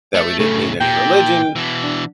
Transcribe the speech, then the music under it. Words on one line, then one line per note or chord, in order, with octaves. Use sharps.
that we didn't need any religion,
A3
A2 C#3 A3
A#2 G5
B2 E3
D4